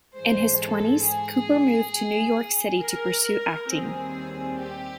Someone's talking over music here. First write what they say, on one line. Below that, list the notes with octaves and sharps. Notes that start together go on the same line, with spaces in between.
In his twenties, Cooper moved to New York City to pursue acting.
G#2 E3 G#3 C5
A4
G#4
A#4
D#2 D#3 G3 C4 G#4
G4